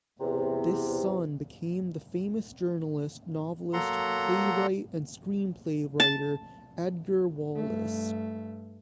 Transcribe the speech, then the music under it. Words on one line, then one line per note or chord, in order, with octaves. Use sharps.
This son became the famous journalist, novelist, playwright and screenplay writer Edgar Wallace.
E2 C3
F#3 A#3 A4 F#5 A#5 C6
A5
G2 A3